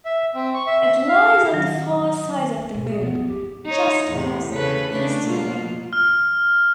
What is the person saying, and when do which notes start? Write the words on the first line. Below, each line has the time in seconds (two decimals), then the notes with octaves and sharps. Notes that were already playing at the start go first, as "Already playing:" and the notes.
It lies on the far side of the Moon, just past the eastern limb.
0.06 E5
0.35 C4
0.54 C#6
0.67 E5
1.08 F5
1.51 D#3 F#3
2.57 C#2
2.74 G#2 B2
2.88 G#4
3.01 E3 G3 B3
3.14 E3
3.26 F#1 G#2 G4
3.66 D#4 C#5
4.10 E2 A2 C3
4.51 C#3 A4 B4
4.92 C#3 A3 D4
5.24 B2 A#3 F4
5.93 F6